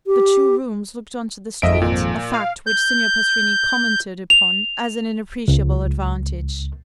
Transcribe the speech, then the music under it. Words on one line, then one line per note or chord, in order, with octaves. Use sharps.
The two rooms looked onto the street--a fact which Signor Pastrini commented upon as an inappreciable advantage.
G4
G#1 F2 D#5 E5 D7
A#2
F5
G6
F7
C#2